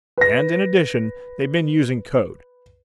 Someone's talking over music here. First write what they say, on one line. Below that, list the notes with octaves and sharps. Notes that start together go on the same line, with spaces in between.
And in addition, they've been using code.
B4 A#6